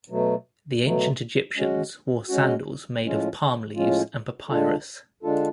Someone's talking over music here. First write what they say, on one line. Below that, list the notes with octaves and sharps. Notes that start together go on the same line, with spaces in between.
The ancient Egyptians wore sandals made of palm-leaves and papyrus.
B2 F#3 A3
B2 F#3 A3
G#3 C#4 F#4
G#3 C#4 F#4
A2 F3 G#3 C#4 F4
A2 F3 G#3 C#4 F4
D3 G#3 D4 F4 A4
D3 G#3 D4 F4 A4